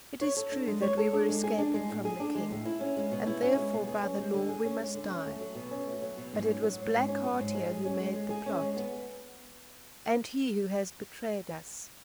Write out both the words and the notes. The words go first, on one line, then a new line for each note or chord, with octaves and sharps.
It is true that we were escaping from the king, and therefore by the law we must die; but it was Black Heart here who made the plot, and he who has betrayed us.
C#5
A4
D4
G#3
C#5
A4
D4
G#3
G#4
D4
G#3
A2
G#4
D4
G#3
A2
E4
C#4
G#3
B2
E4
C#4
G#3
B2
G#4
C#4
G#3
D3
G#4
C#4
G#3
D3
C#4
A3
F#3
B2
C#4
A3
F#3
B2
G#2
C#4
F#3
G#2
G#2
C#4
F#3
G#2
G#3
G#4
C#4
G#3
G#3
G#4
C#4
G#3
B3